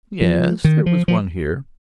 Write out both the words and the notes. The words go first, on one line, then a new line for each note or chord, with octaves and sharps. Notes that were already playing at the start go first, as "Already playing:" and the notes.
"Yes, there was one here."
F3
D#3
F3
F3